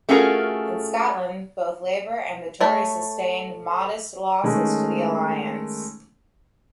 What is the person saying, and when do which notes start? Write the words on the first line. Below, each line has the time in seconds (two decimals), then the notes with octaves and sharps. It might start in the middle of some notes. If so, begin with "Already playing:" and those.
In Scotland, both Labour and the Tories sustained modest losses to the Alliance.
0.09 A3 C#4 F4 F#4 G#4 A#4
2.61 A3 C#5
4.44 D#3 G#3 A3 C#4